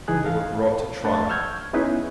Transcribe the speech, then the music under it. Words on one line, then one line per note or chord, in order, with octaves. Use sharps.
They were brought to trial.
C#2 E3 D#4 G#4 F#6
A4 F5
A3 D4 F#5 A5
C#6 E6 F6 G6 G#6
B3 C#4 D#4 E4 G#4 B4